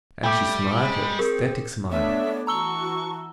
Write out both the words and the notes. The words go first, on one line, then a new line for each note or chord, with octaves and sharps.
And she smiled her ecstatic smile.
G3 A3 G5 D6
G#3
C4 G#4 A#4
A3 B3 D4 C#5 E5
E3 F#4 A5 A#5 C#6 E6 G7